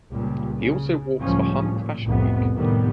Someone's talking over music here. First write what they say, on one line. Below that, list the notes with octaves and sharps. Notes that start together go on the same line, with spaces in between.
He also walks for Hum Fashion Week.
C#2 A#2 G3
C#3
C#2 A2 F3 G3 C#4
A#2
C2 F2 A2 B3
A2 C3 D#3 G3 B3